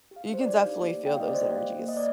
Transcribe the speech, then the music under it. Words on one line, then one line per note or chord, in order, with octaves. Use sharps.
you can definitely feel those energies.
G4
F5
D4
C5
D5
G4
D#4
A#3
A#3
G5
F5
G4 D#5
D5
A#3 C5
A#3
A#3
A#3 D#5
D5